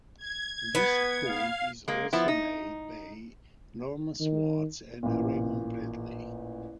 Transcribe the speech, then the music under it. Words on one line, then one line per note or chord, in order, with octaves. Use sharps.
This point is also made by Norman Swartz and Raymond Bradley.
G#6
B3
F5
G#3 A#3
F3 B3 E4
D#4
D#3
A1 A#2